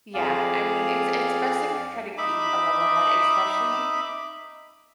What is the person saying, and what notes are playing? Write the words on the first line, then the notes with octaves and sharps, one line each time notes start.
Yeah, I mean, it's it's bes a chr try to keep a level head, especially
F2 G#4 D5 F5
D#4 E5 B5 D6